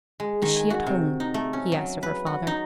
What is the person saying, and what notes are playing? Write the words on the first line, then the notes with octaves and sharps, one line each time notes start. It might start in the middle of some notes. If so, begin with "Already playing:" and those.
Is she at home?' he asked of her father.
G#3
D#3
G#5
F#4
C3
D#4
A3
C#4
F#3
B4
F#4
D#4